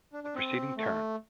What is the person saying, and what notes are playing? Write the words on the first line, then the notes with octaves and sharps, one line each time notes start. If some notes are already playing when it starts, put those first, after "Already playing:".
The preceding Turn!
D4
D4
C4
A3